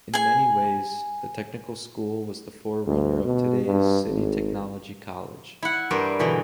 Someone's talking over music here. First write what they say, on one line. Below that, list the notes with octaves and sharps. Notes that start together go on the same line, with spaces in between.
In many ways, the technical school was the forerunner of today's City Technology College.
G#4 G#5
D2
B2
G2
G#1
E4 F#5
G2 A#4 C5 D5
B2 D3 E3